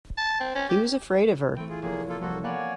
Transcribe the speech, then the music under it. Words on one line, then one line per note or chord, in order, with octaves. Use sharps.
He was afraid of her.
A5
C4
C#4
G4
E3 A3 C4 G5
F4 G#4
F1 A#3 G#4
A#3 F4 A4
C2 F3 A#3 F#4 A4
A#3 B3 C#5 D5 F#5 G#5